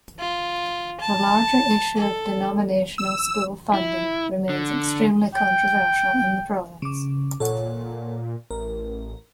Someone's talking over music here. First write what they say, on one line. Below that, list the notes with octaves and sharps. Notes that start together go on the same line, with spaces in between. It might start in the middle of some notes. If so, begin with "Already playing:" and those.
The larger issue of denominational school funding remains extremely controversial in the province.
F4
A5
A4
E6
E4
D3
G5
C#3 D6
A#2 A4 C#5 F#5
A1 A#4